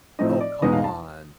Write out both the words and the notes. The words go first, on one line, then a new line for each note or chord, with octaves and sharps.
Oh, come on.
A2 F3 A3 C4 D#4 D#5
D5
E2 B2 G#3 B3 D#4 D#5
F5
A5